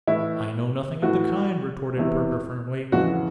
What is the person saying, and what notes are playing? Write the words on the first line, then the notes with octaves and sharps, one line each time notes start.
'I know nothing of the kind,' retorted Perker firmly.
A2 E3 E4
A2 E3 F#4
E2 C3 E3
F2 C#3 E3 F#4